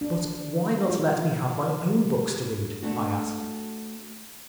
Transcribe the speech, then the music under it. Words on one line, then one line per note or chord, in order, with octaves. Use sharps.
"But why not let me have my own books to read?" I asked.
D4
F4
A3 D4 F#4